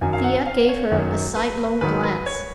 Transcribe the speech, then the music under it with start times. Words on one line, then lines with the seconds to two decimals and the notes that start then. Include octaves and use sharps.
Thea gave her a sidelong glance.
0.01 F#2 D#3 F#3 G#5
0.13 F5
0.24 F#5
0.46 F5
0.69 C#5
0.92 F#2 D#3 F#3
1.36 B4
1.81 G#2 D#3 F#3 B4
2.03 B4
2.26 C#5